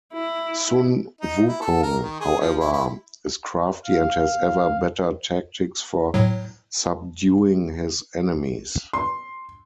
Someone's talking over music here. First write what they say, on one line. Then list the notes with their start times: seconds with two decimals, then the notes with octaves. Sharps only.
Sun Wukong, however, is crafty and has ever better tactics for subduing his enemies.
0.13 E4
1.21 D#4
1.48 E4
1.62 A4
1.83 A#4
2.02 D#3
2.21 G#4
2.41 F3
2.60 E4
2.73 E4
3.85 F5
6.14 A2 F#3
8.93 C6